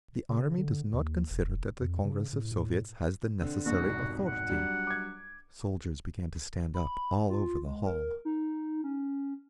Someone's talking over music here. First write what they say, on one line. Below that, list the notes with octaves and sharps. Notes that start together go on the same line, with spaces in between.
"The Army does not consider that the Congress of Soviets has the necessary authority--" Soldiers began to stand up all over the hall.
C#3
D3
D#2
E1
F2
C#3
A2
A2
D3 C4
C2 F2 D3 F#4
G#1 B2
F#5
F#3 G3 D4
D6 G#6
B5
F4
G#3
A#4
D#4
C#4